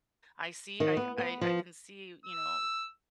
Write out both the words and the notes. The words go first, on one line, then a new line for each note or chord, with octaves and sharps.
I see I I I can see, you know,
D#3
B3
B3
F3
E6